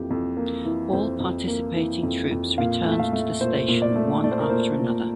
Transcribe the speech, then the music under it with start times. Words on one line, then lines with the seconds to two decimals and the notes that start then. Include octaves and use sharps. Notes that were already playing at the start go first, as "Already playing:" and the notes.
All participating troops returned to the station one after another.
Already playing: F2 E3 A#3 G4
0.10 F2
0.37 A#3
0.65 E3
0.93 F2 C5
1.20 F2
1.47 A#3
1.75 E3
2.03 F2
2.31 F2
2.58 A#2 F5
2.85 A3
2.91 E5
2.99 F5
3.13 A3
3.41 A#2 C5
3.68 A#2
3.82 D5
3.96 A3
4.24 A3 D5
4.32 C5
4.40 A#4
4.50 A#2 C5
4.79 A#2